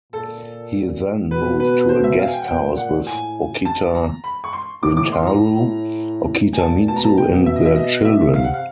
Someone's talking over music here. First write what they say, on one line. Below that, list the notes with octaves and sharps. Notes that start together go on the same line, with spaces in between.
He then moved to a guesthouse with Okita Rintarou, Okita Mitsu, and their children.
A#2 A4
B2 B4
B4
C5
E5
F5
G#5
G5
F#5
A#2 G5
F#5
A2 G#5
A5
A#5
B5
C#6
C6
A2 D6
D6
A2 C6
A#5
A2
G#5
A#2 A5
B2 A5
A#5
A5
B2 G5
E5
D#5
E5
D#5
E5
C3 F5
F#5
F5